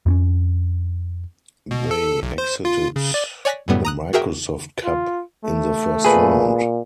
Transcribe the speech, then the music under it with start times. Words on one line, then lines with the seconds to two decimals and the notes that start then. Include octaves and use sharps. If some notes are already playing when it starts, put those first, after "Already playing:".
They exited the Microsoft Cup in the first round.
0.06 F2 C4 C#4
1.71 B2
1.91 A4
2.23 B1
2.38 C5
2.65 F4
2.96 C#3
3.14 D5
3.45 C#5 D5 G#5 F#6 A#6 B6
3.68 F#2 A2 G3 B3
3.85 A#5 D#6 F#6
4.13 F#4 G#4 A#4 E5 G5
4.84 F4
5.44 A3
6.05 A#2 G#4 B4